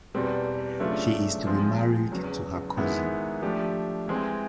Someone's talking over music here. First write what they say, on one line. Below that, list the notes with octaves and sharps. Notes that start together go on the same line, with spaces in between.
She is to be married to her cousin.
E2 B2 G3 C4
C#3 F#3 A3 D4 F4
F3 G#3 C4 F4
E2 C#3 F#3
G#2 D#3 G#3 B3 E4
F3 A3 D4 G4
E3 G#3 C4